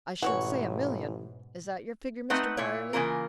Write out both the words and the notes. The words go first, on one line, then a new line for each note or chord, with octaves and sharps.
"I should say a million; is that your figure Mr. Brierly."
A1 G#2 B2 E3 F#4 C#5 F#5
A3 C4 D#4 B4 F#5
A#2 E4 C#5
C#3 E3 A#3 F4 A#4